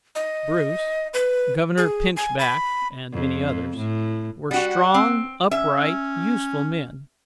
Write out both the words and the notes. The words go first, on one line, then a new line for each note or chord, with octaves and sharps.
Bruce, Governor Pinchback, and many others, were strong, upright, useful men.
D#5
B4
G#4
G#5
B5
F2
A2
G3 F#4 F#5
C4
C#4 E5